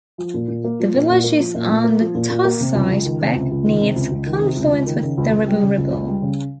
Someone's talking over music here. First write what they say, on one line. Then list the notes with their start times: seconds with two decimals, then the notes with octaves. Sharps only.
The village is on the Tosside Beck, near its confluence with the River Ribble.
0.18 F3
0.34 A#2
0.48 A#2
0.64 A#3
0.79 F3
0.94 A#2
1.10 A#2
1.24 A#3
1.39 F3
1.55 A#2
1.69 A#2
1.84 A#3
2.00 F3
2.15 A#2
2.30 A#2
2.44 A#3
2.60 C3
2.75 C#2
2.90 C#2
3.05 D#3
3.21 C3
3.35 C#2
3.51 C#2
3.66 D#3
3.81 C3
3.96 C#2
4.11 C#2
4.26 D#3
4.42 C3
4.56 C#2
4.72 C#2
4.86 D#3
5.02 C#3
5.17 C#2
5.31 C#2
5.47 G3
5.62 C#3
5.77 C#2
5.92 C#2
6.08 G3
6.22 C#3